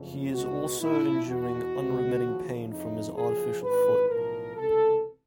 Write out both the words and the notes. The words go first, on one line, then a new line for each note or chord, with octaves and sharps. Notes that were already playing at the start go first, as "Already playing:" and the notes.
He is also enduring unremitting pain from his artificial foot.
Already playing: F#1 F2 C#3
C#2 B2 F#4
A#1 A#2 F3 E4
E2 B2 F#4
C#2 B2
D#2 C#3 F3
F2 C#3 E3 D#4
F#1 F#2 C#3 F3 G#4
G#1 G#2 E3 B4
B1 A2 F3 A#4
C#2 C3 E3 A4